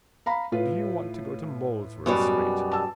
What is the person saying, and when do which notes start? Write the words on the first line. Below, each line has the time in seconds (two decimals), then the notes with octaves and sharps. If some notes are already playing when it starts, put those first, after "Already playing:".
Do you want to go to Molesworth street?
0.26 F5 A#5 B5
0.52 A2 F4 B4
2.06 F#2 B2 G3
2.72 A5 E6